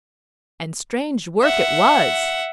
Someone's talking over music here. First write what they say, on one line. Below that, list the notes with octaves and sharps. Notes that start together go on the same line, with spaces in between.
And strange work it was!
E5 F#5